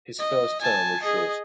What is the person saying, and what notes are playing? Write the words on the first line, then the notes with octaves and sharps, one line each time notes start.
His first term was short.
D#5
G#5 A5
G#4 D#5